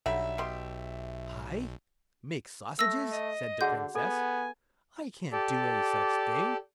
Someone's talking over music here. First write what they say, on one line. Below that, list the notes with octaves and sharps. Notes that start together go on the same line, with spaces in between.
'I make sausages!' said the Princess; 'I can't do any such thing.
B1 D3 F#3 G3 E5
B2 G4 C6
A3 E6 A#6
D#5
D3 F#4 G#4 F#5 G6
B3 A4 G#5
G4 A4 D5